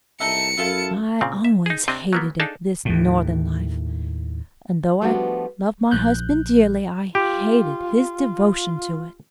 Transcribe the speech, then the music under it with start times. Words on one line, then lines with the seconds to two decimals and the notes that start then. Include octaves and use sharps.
I always hated it--this Northern life--and, though I loved my husband dearly, I hated his devotion to it.
0.20 C2 D#4 A4 E5 C#7
0.57 F#2 E4 F4 A4
1.21 A#2 C#3 C4
1.45 E5
1.66 D#4 G#4
1.88 C3 C4 D4 D#5
2.13 F#3 A#3 B3
2.40 D4 D#4 G#4 A4 F5 A5
2.85 D#2 A2
5.02 F3 G3 A3 B3 D4 F#4
5.91 A#1 F#6 G6
7.15 F4 G4